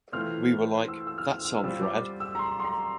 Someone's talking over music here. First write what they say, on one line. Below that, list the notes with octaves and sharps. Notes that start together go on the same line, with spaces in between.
We were like, 'That sounds rad.
E3 A3 C4 F4 C5 F6
E6
E6
F6
E6
E6
G3 C4 F4 E6
D6
E6
A#5
C6
C6
A#5